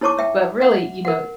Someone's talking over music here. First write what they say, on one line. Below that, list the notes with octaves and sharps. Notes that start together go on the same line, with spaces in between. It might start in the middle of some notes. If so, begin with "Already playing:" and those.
But really, you know,
D#4 E4 C#5 A5 C#6 D6
E5 G5
F#5
A#4 F#5